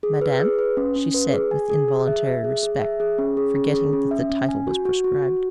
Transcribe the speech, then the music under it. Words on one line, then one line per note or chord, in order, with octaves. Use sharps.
"Madame?" she said, with involuntary respect, forgetting that the title was proscribed.
G#4
B4
G#4
B4
C#4
C#4
B4
G#4
G#5
G#4
G#4
E5
E5
G#4
G#4
E5
G#4
C#4
G#4
C#4
G#4
C#4
E5
C#4
G#5
F#4
F#4
F#4
F#4